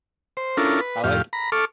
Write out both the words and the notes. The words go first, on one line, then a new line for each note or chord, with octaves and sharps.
I like
C5
C#4 D4 E4 F4 A4 A#4
B4
F2 A2 G4 F5
A#5 B5
A4 C#6 D6 F6